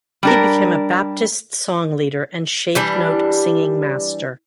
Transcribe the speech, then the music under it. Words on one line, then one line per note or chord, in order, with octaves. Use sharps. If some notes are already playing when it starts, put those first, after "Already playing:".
He became a Baptist song leader and shape note singing master.
G3 D4 A#4
E3 G3 D4